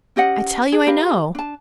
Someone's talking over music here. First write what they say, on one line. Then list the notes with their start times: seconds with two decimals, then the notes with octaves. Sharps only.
"I tell you I know."
0.16 C#4 G4 D#5 F#5
0.72 G#4
0.87 G4 A#4 B4 F5
1.35 D4 A5